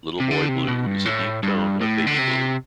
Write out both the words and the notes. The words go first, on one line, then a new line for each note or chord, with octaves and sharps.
Little boy blue is a deep tone of baby blue.
C3
D3
C3
B2
G2
A2
G2
A2
D3
C3